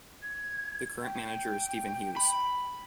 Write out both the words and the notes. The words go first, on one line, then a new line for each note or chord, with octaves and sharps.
The current manager is Stephen Hughes.
G#6
G5
B5